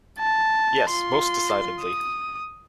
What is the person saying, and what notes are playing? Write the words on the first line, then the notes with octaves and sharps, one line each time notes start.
Yes, most decidedly.
A5
F4 C6
D#6